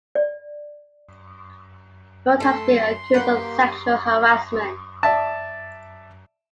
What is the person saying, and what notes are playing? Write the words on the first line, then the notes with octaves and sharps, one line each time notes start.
Nord has been accused of sexual harassment.
D5
A3 A4 C6
A#3 G4 B4 F#5 G6
D5 E5 A5